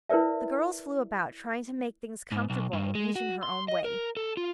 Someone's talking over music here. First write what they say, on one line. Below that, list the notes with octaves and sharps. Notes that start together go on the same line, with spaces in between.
The girls flew about, trying to make things comfortable, each in her own way.
E4 A#4 B4 D5 E5
G#2
B1
G2
G#3
F#4
C6
D#5
A#4
A4
F4